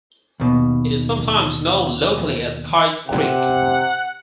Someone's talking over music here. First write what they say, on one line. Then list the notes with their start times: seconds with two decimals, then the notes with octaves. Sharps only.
It is sometimes known locally as "Kyte Creek".
0.40 D#2 B2
3.08 C3 F#5